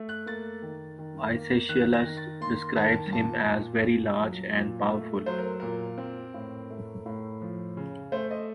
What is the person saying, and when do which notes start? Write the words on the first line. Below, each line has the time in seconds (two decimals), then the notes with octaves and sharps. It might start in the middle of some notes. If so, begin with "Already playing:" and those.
Aeschylus describes him as very large and powerful.
Already playing: A3
0.09 F#6
0.26 A#3 A6
0.62 D#3
0.99 D#3
1.34 A#3
1.69 D#3 F#6
1.93 A#6
2.06 D#3
2.17 A6
2.41 A#3 C6
2.76 D#3 A5
3.12 A#2 A5
3.49 A#2
3.84 A#2
4.20 F#3
4.55 A#2
4.91 A3
5.26 F#3 C5
5.38 A#4
5.60 A#2 A#4
5.98 C4
6.34 A2
6.70 A3
7.06 A2
7.42 F3
7.77 C#3
8.12 A3 C5
8.31 D#5